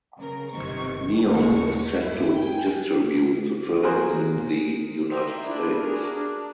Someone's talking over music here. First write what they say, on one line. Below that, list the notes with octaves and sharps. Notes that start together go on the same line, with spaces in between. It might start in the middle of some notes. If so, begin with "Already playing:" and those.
Neon is set to distribute the film in the United States.
C#3 A#4
G1 C3 D#3 C#6
D#2 A#2 G#3 C#6 C#7
G2 E4
G5 G#5
F#4 G#4 A#4 C5
D#3 E5 G5 A#5 C6
D4 E4 F4
D4 F#4 G#4 A#4
D4